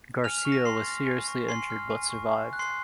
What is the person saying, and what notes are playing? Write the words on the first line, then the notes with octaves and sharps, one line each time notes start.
Garcia was seriously injured but survived.
G#5 F6 F7
F6 F7
C#6
A#6
G#5 C6 C7
F6
G#5
C#6
G#5 C6 C7
F6
G#5
C#6
G#5
F#6
C6 C7